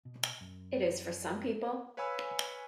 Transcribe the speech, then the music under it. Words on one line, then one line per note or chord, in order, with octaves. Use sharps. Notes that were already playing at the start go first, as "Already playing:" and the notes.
It is for some people.
B2
F#2
B4 C#5 F5 G#5 B5 E6